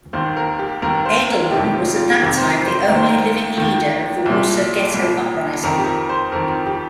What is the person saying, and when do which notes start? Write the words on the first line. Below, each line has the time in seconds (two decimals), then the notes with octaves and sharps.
Edelman was at that time the only living leader of the Warsaw Ghetto Uprising.
0.13 D#2 D#3 C5
0.37 A#4
0.59 G4
0.82 D#2 D#3 A#4
1.06 C5
1.28 A#4
1.51 F2 C3 D#3 G4
1.74 F4
1.96 F4
2.20 F2 C3 D#3 G4
2.38 C5
2.42 A#4
2.66 C5
2.88 D#2 A#4
2.92 D#3 C5
3.06 A#4
3.57 D#2 D#3
4.26 C2 A#2
4.94 C2 A#2
5.63 F2 D#3 A#4
5.78 G4
5.86 A#4
6.09 C5
6.32 F2 D#3 A#4
6.67 G4